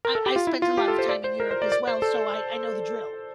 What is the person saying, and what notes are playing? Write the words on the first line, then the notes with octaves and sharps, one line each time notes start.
I I spent a lot of time in Europe as well, so I I know the drill.
A#4
A4
G4
F4
E4
F4
G4
A4
C5
D5
C5
A#4
C5
D5
D5
C5
A4